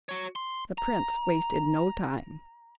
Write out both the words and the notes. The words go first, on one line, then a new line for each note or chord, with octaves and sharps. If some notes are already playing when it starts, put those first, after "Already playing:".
The prince wasted no time.
F#4 C#5
C6
A#5